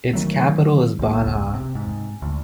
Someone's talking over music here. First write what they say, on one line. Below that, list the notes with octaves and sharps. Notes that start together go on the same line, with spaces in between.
Its capital is Banha.
D#3 F#3 A3
B1 A#3
F1 C#2
C3
G#2
D2